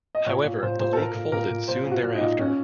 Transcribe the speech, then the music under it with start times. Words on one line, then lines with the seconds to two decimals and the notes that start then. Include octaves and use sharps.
However the league folded soon thereafter.
0.15 D#5
0.26 A#2 C#5
0.44 A#2
0.63 A#2 C5
0.79 A#2 C5
0.93 A4
0.97 A#2 A#4
1.14 A#2
1.32 A#2 A#4
1.50 A#2
1.68 A#2 C5
1.86 A#2
1.91 F#4
2.03 A#2
2.15 D#4
2.21 A#2
2.39 A#2 C#4